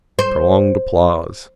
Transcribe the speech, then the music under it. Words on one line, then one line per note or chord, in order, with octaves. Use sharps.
Prolonged applause.
C5